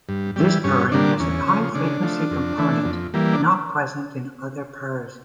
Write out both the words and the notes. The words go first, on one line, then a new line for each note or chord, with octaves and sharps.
This purring has a high-frequency component not present in other purrs.
G2
E3 G3
G2 C#4
D3 G3 A#3 D4
E2 C#4
C#3 F3
C#3 D4
F3 A3
F2
E3 A3
F2
E3 G3 A#3
D4